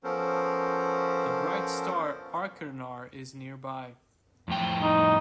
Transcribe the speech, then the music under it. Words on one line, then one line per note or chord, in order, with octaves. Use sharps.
The bright star Achernar is nearby.
F3 B3 C#4 A4 A#4 C5
F2 A2 G5
D#4